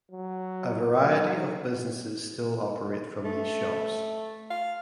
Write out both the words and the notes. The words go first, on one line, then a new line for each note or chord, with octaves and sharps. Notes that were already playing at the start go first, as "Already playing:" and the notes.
A variety of businesses still operate from these shops.
F#3
F#3
A3
F5